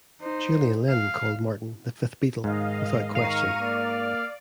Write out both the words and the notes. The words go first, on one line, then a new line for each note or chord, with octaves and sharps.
Julian Lennon called Martin "The Fifth Beatle, without question".
D#4 C5
F5
G#2 D#3 D#5 F5
D#3 F5 A#5 C#6 D#7
A#3 D5